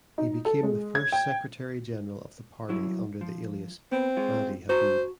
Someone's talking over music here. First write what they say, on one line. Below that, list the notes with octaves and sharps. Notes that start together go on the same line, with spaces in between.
He became the first secretary general of the party under the alias Mahdi Habib.
D#4
A4
G#3
G#6
G5
C2 F#3 E4
F3
B3 C4
G#3 F4
F#4 C5 A5 A#5